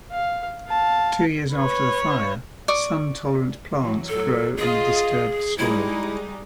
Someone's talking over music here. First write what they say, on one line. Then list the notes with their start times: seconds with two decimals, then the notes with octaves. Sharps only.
Two years after the fire, sun tolerant plants grow in the disturbed soil.
0.12 F5
0.67 F5 A5
1.53 B4 C#5
2.68 D5 C#6 D#6
3.79 E3 F#3
4.09 A2 F#3 A4
4.57 F4 G#4 D#5
5.58 G3 G#3 D#4 E4